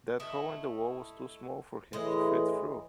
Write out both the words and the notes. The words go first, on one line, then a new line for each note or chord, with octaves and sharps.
That hole in the wall was too small for him to fit through.
A3 E4 D#5
A2 E3 G#3 D#5